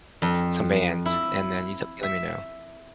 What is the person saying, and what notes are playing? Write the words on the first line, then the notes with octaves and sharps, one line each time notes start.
some bands, and then you just let me know.
F2
E4
E5